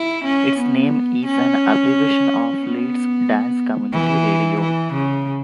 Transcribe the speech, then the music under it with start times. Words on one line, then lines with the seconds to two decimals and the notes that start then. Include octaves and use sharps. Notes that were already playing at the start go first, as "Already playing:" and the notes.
Its name is an abbreviation of Leeds Dance Community Radio.
Already playing: E4
0.24 C#4
0.58 B3
1.26 C#4
2.60 B3
3.93 E3
4.61 E3
4.93 C#3